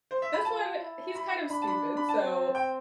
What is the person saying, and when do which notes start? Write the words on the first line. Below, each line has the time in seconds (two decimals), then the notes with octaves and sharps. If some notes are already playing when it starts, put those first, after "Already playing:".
this one, uh, he's kind of stupid, so,
0.11 C5
0.22 E5
0.33 B5
0.45 F4 A5
0.81 E4
1.15 B5
1.50 D4 B5
1.62 A5
1.67 B5
1.97 B5
2.09 A5
2.20 C4
2.55 G5